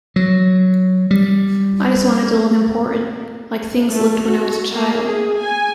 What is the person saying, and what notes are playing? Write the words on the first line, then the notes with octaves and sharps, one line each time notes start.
I just wanted to look important, like things looked when I was a child.
F#3
G3
A3
F#4
A#3
G#4
G#5